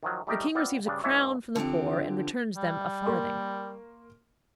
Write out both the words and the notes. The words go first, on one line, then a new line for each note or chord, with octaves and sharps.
The king receives a crown from the poor, and returns them a farthing.
D#3 F3 F#3
G3 A3 D#4 G4 A#4
B3 C4 F4 D5 F5
G2 C#3 D4
E2 G#2 E3 D4 C#5 E5
D3 F3 C4 G4
G3
A#3 C6 C#6